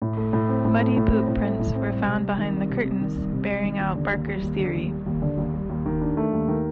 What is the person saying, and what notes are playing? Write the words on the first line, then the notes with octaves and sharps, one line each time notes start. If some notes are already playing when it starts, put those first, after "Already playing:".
Muddy boot-prints were found behind the curtains, bearing out Barker's theory.
A2
A3
A2
C4
A2
A3
A2
C4
A2
A3
A2
C4
C2
C3
C2
D#3
C2
C3
C2
D#3
C2
C3
C2
D#3
D#2
D3
D#2
G3
D#2
D3
D#2
G3
D#2
D3
D#2
G3
D#2
D#3
D4
A3
D#2
D#3